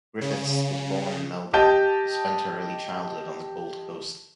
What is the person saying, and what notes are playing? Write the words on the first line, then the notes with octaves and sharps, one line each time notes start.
Griffiths was born in Melbourne, but spent her early childhood on the Gold Coast.
C#3
G4 D#5 A5 G6